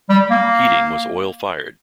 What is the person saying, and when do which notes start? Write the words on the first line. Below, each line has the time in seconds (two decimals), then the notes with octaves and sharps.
Heating was oil fired.
0.10 G3
0.31 A#3